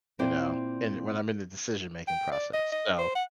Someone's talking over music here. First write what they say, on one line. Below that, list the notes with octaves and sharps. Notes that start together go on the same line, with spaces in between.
you know, and when I'm in the decision-making process, so,
A#2 C4 E4 C5 D5
G5
D5
D#5
D#5
C5
F#5